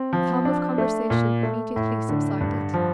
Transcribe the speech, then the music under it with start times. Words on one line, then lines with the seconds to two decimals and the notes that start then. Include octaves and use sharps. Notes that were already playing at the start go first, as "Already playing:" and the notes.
The hum of conversation immediately subsided.
Already playing: C4
0.13 F3
0.45 D4
0.78 A3
1.10 A#2
1.43 A3
1.76 A2
2.09 D3
2.41 G2
2.74 F3